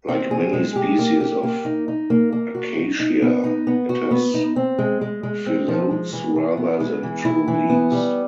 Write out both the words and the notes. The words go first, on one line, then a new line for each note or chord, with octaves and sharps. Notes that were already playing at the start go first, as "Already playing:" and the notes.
Like many species of "Acacia" it has phyllodes rather than true leaves.
C4
G#4
G#3
G4
A#3
G4
A#3
D#4
D#4
A#3
A#3
F#4
D#4
D#4
B3
D#4
B3
F#4
B3
D#4
C4
G#3
G#3
G#3
C4
F3
G#3
E3
E3
B3
G#3
E3
E4
E3
B3
G3